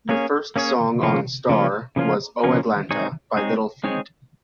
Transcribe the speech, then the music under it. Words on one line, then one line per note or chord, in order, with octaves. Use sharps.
The first song on "Star" was "Oh Atlanta" by Little Feat.
A#3 C#4 G#4 C#5
A#3 C#4 G#4 C#5
C#3 F3 A#3 C#4 F4
C#3 F3 A#3 C#4 F4
C#3 F3 A#3 C#4 F4
C#3 F3 A#3 C#4 F4
G#3 C4 D#4 G#4 C#5
G#3 C4 D#4 G#4 C#5
G#3 C4 D#4 G#4 C#5